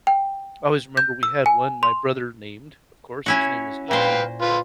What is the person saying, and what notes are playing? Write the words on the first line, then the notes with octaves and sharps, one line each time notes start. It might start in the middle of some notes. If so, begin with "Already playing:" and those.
I always remember we had one my brother named, of course, his name was ET
G5
G6
E6
G#5
C6
C#4 E4 F#4
A#2 B4 C5 F5 G5
F4 B4